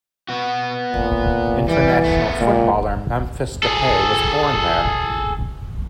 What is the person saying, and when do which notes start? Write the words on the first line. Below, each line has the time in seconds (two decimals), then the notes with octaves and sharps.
International footballer Memphis Depay was born there.
0.29 B3 F#4
0.92 A#2
1.68 E3 G3
2.04 A3 B3
2.40 C#2 A#2
3.63 G#4 A4